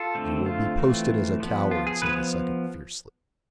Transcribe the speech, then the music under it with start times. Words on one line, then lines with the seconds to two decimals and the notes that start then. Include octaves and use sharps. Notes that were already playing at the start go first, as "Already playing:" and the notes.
"You will be posted as a coward," said the second, fiercely.
Already playing: F4 A4
0.15 D3 A3 C4
0.46 F4
0.78 E3 A3 C4
1.40 F3 B3
1.71 F4
1.87 G#4
2.02 F3 B3 G#4 B4